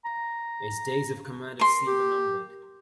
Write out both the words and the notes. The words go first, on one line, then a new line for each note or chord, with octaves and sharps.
His days of command at sea were numbered.
A#5
A#4 C6
G4